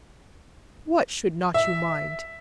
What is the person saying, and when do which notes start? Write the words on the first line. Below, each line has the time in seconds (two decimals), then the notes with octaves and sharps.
"What should not you mind?"
1.54 E5